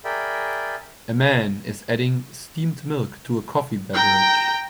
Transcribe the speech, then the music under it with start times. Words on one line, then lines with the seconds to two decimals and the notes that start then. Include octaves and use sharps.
A man is adding steamed milk to a coffee beverage.
0.05 G#4 A#4 D5 E5 G5 B5
3.94 G5 A#5